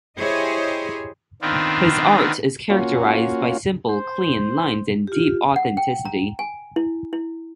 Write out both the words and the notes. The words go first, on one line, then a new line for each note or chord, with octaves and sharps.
His art is characterised by simple, clean lines, and deep authenticity.
E4 G4 G#4 C5 C#5 D#5
D#3 B3 C4 D4 F4
A#3 C#4 F4 F#4
C5
F4 G4
F#5
G5
A#5
G#5
E4
E4